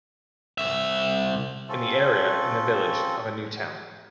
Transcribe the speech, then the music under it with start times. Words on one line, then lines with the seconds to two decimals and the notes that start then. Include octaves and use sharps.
In the area in the village of a new town.
0.58 C2 E5
1.69 C4 C#4 F4 A4